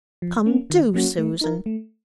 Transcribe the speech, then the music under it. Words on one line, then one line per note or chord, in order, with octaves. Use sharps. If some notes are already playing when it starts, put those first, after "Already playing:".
Come, do, Susan.
F3
A#3 C#4
D#3
F#3 A#3 C#4 F#4
A3
D#4 A#4
A3